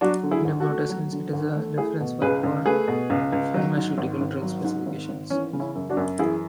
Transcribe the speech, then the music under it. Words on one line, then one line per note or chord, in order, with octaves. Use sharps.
In a broader sense it is a reference work for pharmaceutical drug specifications.
F#3 D4 F#4
D3
E4 G#4
D2
F#4 A4
A3
F#3
D3
D2
A3
A3 E4 G#4
B2
C#2 G#4 B4
C#2
A3 G#4 B4
B2
C#2
C#2
F#3
G#2
G#1
G#1
F#3
G#2
G#1
G#1
E3 C#4
C#3
C#4 E4
F#2
D4 F#4
F#2
E3 E4 G#4